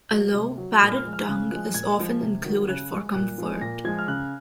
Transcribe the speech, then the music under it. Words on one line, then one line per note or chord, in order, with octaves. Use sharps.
A low, padded tongue is often included for comfort.
F#3
C3
F#3
A#2 D#6
F6
F3 G#3
F6
C#3 F#6
F3 G#3 F#6
A#2 G#6
F3 G#3
C3
D#3 F#3
C#3 F#6
G#3
A#2 F#6
F3 G#3
A#2 A#6
F3 G#3 G#6
F6
C#3 F#6